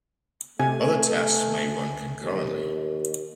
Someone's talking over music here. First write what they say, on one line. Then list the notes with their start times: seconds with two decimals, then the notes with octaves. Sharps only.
Other tasks may run concurrently.
0.59 C3 A3 G#5
2.21 D#2